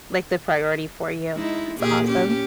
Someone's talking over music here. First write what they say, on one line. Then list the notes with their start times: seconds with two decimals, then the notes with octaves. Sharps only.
Like the priority for you. That's awesome.
1.35 G#3 D#4 E4
1.79 A#2 G4 G#4
2.08 C#4 G4